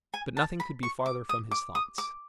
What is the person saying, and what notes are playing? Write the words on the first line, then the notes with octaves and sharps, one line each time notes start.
But nothing could be farther from his thoughts.
G#5
A5
B5
C#6
D6
D#6
D6
D#6
D6